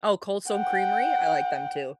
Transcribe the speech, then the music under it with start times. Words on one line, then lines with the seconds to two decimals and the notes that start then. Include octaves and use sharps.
Oh, Cold Stone Creamery? I like them too.
0.50 F#5 G5